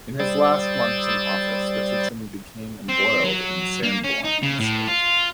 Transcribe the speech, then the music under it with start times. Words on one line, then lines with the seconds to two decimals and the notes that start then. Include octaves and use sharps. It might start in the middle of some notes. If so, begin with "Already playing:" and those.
In his last months in office Richardson became embroiled in the Sanborn incident.
0.20 G3 C5 D5 D#6 E6 A6
2.89 C4
3.24 F#3
3.83 A#3
4.04 C#4
4.24 D#4
4.43 C#3
4.60 A2
4.88 F4